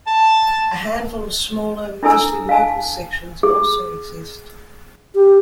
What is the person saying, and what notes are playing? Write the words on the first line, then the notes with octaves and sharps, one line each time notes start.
A handful of smaller, mostly local sections also exist.
A5
D4 E4 A4 G#5 E6
F5 G#5 A5
G#4
G4